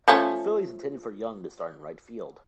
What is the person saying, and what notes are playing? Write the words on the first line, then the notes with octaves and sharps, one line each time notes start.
The Phillies intended for Young to start in right field.
F3 A3 C#4